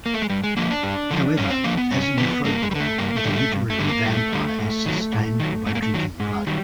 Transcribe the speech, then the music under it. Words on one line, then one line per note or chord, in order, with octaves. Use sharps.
However, as in folklore, the literary vampire is sustained by drinking blood.
A#3
A3
G#3
G2 G3
G#3
D3 F3 A#3
D4
G2
D3 F3
G2 C#4
C4
D3 F3 A#3
B3
G2 C#4
D3 F3 B3
G2 A#3
G#3
G3
D3
A3
G2 A#3
A3
D3 G3
A3
G2
A3
D3 G3
A#3
G2 A3
D3 G3
G#2
D#3 F#3
G#2
D#3 F#3
G#2 A3
A#3
A3
D#3 F#3
G#2 G#3
D#3 F#3 G3